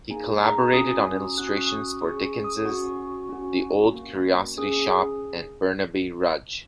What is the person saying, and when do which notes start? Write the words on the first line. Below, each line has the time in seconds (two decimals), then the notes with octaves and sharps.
He collaborated on illustrations for Dickens's "The Old Curiosity Shop" and "Barnaby Rudge".
0.11 A#3 D#4 G#4 G#5
0.42 A#5
0.73 C#4 F#4 D#6
1.38 C#4 F#4 F#6
1.47 D#6
1.58 C#6
1.67 D#6
2.02 C#4 G#4 C#6
2.44 D#6
2.65 C#4 F#4 C#6
3.29 C#4 F#4
3.93 A#3 C#4 F#4
4.58 C#4 G#4 D#6